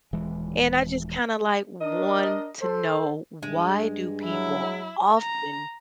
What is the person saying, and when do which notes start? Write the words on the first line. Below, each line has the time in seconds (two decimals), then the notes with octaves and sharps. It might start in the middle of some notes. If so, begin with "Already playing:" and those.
And I just kinda, like, want to know why do people often
0.13 D#1 E3 G#3
1.81 D4 A#4 D#5
2.61 A4 C5
3.43 G2 G#3
4.23 F#3 E4
5.19 A#5